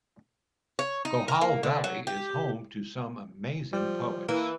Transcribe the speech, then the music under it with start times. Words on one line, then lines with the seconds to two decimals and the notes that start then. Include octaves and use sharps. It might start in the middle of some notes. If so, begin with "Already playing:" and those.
Gojal Valley is home to some amazing poets.
0.79 C#5
1.05 D#4
1.28 A#4
1.41 A#3
1.63 D3
1.84 F#3
2.07 G4
3.73 F3 G3
4.29 E3 A#3 E4